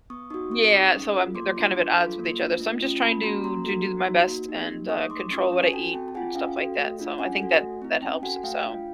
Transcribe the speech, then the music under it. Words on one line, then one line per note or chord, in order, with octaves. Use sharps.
yeah. So I'm they're kind of at odds with each other, so I'm just trying to to do my best and, uh, control what I eat and stuff like that, so I think that that helps, so
B3 C#6 D#6
D#4 F#4 C#6 D#6
C4 C#6 D#6
D#4 G#4
C#4
F4 A4
A#3 C6 D6
D4 F4
D4
F4 A4
A#3
D4 F4
A3
C#4 F4
A#3 A5 B5
C#4 F#4 A#5 C6
A#3 A#5 C6
D4 F#4 A4
B3
D#4 F#4
A#3
D#4 G4
A#3
D#4 G#4 C#6 D#6
A3 C6 D6
C#4 F4 C#6 D#6
C#4 A5
G#5
F#4 A4 G5 A5
C4 G5 A5
A5
F4 G#4 F#5 G#5
C#4 F5 G5
F#4 A4
A3
D4 F4 G#4
C#4 F#5 G#5
F#4 A4
A3
C4 E4
C#4 G5 A5
F#4 A4 F#5 G#5
A3 F5 G5
D4 F4